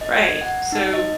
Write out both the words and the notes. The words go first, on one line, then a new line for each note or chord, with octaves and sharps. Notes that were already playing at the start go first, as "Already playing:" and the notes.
Right, so
D#5
G#6
F#5
D#4
D#5